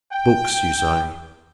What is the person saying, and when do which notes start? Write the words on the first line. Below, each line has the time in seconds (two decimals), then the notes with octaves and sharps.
"Books," you say.
0.12 G5